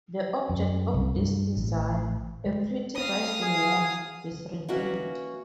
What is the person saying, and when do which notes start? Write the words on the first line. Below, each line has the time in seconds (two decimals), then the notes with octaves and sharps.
The object of his desire, "A pretty rising womb", is revealed.
0.50 F#2
0.94 C2
1.15 G2
1.57 A1
2.46 G#3
2.95 F5 D#6
3.42 G#4
4.69 A#3 C#4 F#4 B4 D#5 E5